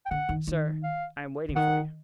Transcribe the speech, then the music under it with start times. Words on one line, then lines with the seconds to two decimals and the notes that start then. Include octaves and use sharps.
"Sir, I am waiting for you."
0.06 G5
0.10 D3 F#5
0.29 D#3
0.47 D#3
0.83 F5
1.49 D3
1.56 D#3 F#5